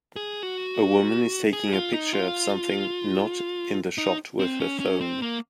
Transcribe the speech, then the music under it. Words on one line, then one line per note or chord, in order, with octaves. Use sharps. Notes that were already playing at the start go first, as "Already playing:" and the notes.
A woman is taking a picture of something not in the shot with her phone.
G#4
F#4
G#4
F4
D#4
F4
D#4
C4
C#4
C#4
C4
A#3